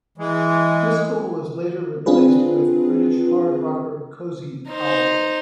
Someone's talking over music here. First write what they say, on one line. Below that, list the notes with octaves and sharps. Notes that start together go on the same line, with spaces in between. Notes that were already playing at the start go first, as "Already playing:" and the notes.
Driscoll was later replaced with British hard rocker, Cozy Powell.
E3 G#3
C4 D4 F4 G#4 B4
D#4 C5